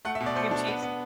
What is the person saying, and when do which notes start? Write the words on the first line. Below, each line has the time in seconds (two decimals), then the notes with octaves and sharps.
Cream cheese?
0.05 A3 F#5
0.15 E5
0.21 B2
0.26 D5
0.36 A3 C5
0.51 D4
0.67 B3
0.82 B3